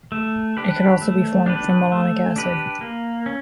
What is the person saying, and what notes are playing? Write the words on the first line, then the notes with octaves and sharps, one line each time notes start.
It can also be formed from malonic acid.
A3
D4 G4 B4
A3
D4 G4 B4
A3
D4 G4 B4
A#3
C#4